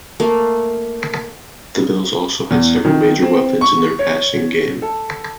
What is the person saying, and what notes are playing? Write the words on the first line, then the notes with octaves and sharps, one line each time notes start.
The Bills also had several major weapons in their passing game.
A3 A#3
E2
D#3
C4
C#6
C#5
A4